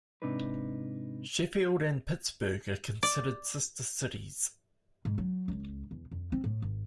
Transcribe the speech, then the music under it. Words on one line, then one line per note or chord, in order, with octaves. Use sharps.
Sheffield and Pittsburgh are considered sister cities.
G#2 C3 D4 D#4 B4
D5
G#2
F#3
C#2
E2
F2
C4
A2
G#1